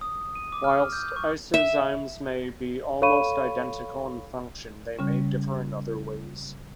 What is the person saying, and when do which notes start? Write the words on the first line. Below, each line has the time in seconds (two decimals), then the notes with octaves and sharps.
Whilst isozymes may be almost identical in function, they may differ in other ways.
0.01 D#6
0.35 D#7
0.52 D6
0.64 F6
0.93 G6
1.16 C#6
1.54 E5
3.02 A4 C#5 F5 B5 C#6 D#7
4.99 C#3 G3 C#4